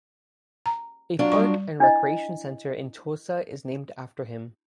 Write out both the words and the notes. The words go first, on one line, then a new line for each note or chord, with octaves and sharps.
A park and recreation center in Tulsa is named after him.
A#5
F#3 D4 F4
G3 C#6
D4 E4 D#5